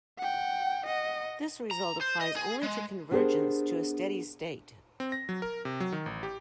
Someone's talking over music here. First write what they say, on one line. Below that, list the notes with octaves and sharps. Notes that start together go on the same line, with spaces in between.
This result applies only to convergence to a steady state.
F#5 G5
D#5 F#5
A#5
C5
D#5
G#4
G#3
B3 D4 G4 G#4 A#4 C5
C4
A#6
F#3
A#4
C3
F#3
D#3
A1
G4